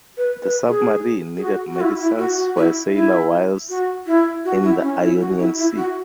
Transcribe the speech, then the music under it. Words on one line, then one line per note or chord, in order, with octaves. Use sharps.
The submarine needed medicines for a sailor whilst in the Ionian Sea.
B4
B4
G#4
G#4
F#4
F#4
E4
E4
F#4
F#4
E4
E4
F#4
E4
F#4
E4
C#4
E4
F#4
E4
E4
F#4